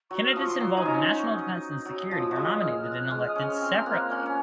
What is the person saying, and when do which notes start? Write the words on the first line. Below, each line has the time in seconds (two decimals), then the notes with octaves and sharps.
Candidates involved in national defence and security are nominated and elected separately.
0.10 F#3 C#6
0.27 F6
0.33 F3 D#6
0.41 C#6
0.48 C6
0.60 F#3
0.77 D#4 G#5
0.86 C#4 A#5
0.99 C6
1.11 C#6
1.36 D#6
1.85 F#3
1.98 D#6
2.11 F3
2.31 F#3 C#6
2.36 G#3 D#6
2.61 F6
2.86 F#6
3.00 F#6
3.11 G#3 F6
3.28 D#6
3.36 C#4 F6
3.61 C4 F6
3.86 A#3 F#6
4.05 F#6
4.11 C#4 F6
4.26 C#4